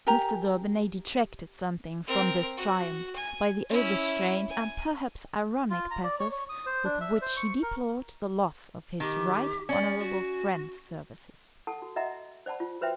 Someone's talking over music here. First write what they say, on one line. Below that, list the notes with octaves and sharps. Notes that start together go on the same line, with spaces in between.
Mr. Daubeny detracted something from this triumph by the overstrained and perhaps ironic pathos with which he deplored the loss of his right honourable friend's services.
G4 A#4 G#5 A#5
C4 A#4
F#4
G#5
C#4 E4
G#5
F4
A#5
D5
C#5
C#5
D#6
C5
D4
E5
C5
C#6
A#4
D#3 G4
C#4 D5
F#4
A4 F#5 A5
F#4
F#4 D#5 E5 F#5 A#5
C5 D5 F#5 A5 B5
F4
F#4 B4 C5 E5 G5